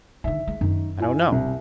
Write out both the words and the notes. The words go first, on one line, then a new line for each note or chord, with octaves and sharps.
"I don't know."
D3 D#3 E5
G#3
F#2 D#3
E4 G#5
C2